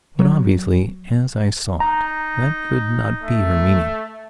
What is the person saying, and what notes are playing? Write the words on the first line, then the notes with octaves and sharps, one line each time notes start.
But obviously, as I saw it, that could not be her meaning.
F#3
D#4 A#5
A3